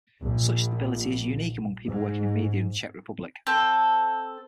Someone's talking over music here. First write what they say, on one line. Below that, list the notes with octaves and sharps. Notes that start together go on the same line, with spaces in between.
Such stability is unique among people working in media in the Czech Republic.
A#1
G#2
C4 A4